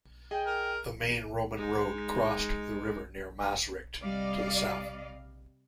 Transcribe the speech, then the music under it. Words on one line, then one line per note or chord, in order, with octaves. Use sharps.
The main Roman road crossed the river near Maastricht, to the south.
G#4 D#5 G5
A#4
G#3 D#4
C3 G3 D5 D#5 F5